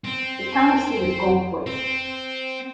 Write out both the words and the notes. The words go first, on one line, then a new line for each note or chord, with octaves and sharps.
The county seat is Goldthwaite.
C4
C4